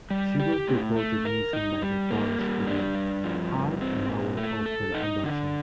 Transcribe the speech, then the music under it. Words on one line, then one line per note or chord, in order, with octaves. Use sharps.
She was reported missing by her parents within half an hour of her abduction.
G3
G4
A2
A3
A#4
D#4
G3
A#3
G3
D4
G2
F3
G2
C4
A#2
A3
A4
D#4
D3